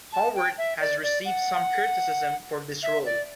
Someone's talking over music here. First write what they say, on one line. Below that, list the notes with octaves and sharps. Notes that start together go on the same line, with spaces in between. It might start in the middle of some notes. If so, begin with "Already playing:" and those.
Howard has received some criticism for this role.
A5
G5
E5
D5
D5
F#5
E5
D5